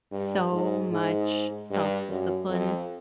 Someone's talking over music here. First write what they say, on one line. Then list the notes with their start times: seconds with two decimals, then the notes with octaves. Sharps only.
so much self-discipline
0.12 G2
0.52 G#2
0.91 G#2
1.71 G2
2.09 F#2
2.49 F2